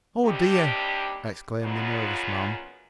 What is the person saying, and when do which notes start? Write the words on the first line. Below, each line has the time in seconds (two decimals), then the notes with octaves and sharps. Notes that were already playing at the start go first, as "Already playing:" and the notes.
"Oh, dear!" exclaimed the nervous man.
0.24 D#2 C3 G3 D4 G4
1.62 F#2 A#2 C#3 B3 D#4 F4